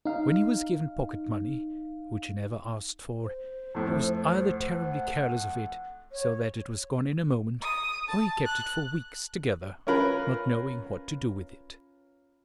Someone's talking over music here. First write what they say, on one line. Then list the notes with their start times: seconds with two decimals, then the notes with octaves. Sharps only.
When he was given pocket-money, which he never asked for, he was either terribly careless of it so that it was gone in a moment, or he kept it for weeks together, not knowing what to do with it.
0.05 D#4 F5
3.23 C5
3.75 F2 A2
4.42 F#5
6.12 C#5
7.62 D#6
8.08 A5
8.46 F#6
9.87 C#4 F4 A#4 B4